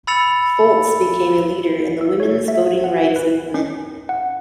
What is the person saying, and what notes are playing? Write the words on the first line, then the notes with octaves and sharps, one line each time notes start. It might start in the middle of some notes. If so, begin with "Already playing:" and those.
Foltz became a leader in the woman's voting rights movement.
B5 E6 A6 C#7 F7
E6
C#5
E5
F#5
B4
C#4
F#5